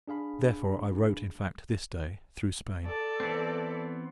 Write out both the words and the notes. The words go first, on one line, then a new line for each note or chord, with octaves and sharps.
Therefore, I wrote, in fact, this Day, through Spain.
D4 G#4 F5 B5
A4 D5
E3 B3 C4